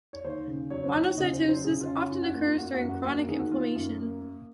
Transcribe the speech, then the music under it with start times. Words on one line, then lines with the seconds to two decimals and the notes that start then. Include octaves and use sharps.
Monocytosis often occurs during chronic inflammation.
0.13 C#5
0.24 D#2 C5
0.48 C#3
0.70 F#3 C#5
0.84 C5
0.94 D#2 C#5
1.17 C#3 D#5
1.33 C5
1.41 F#3
1.49 C5
1.64 C#3 G#4
1.81 F4
1.87 C#4
1.96 F4
2.11 F#2 F4
2.22 F#4
2.34 A#3 F4
2.46 F4
2.58 A#3 F#4
2.74 F#4
2.81 F#2
2.89 F#4
3.04 A#3 F#4
3.17 F#4
3.28 D#3 G#4
3.39 F#4
3.51 A#3 F4
3.75 F#2
3.98 A#3
4.21 A#3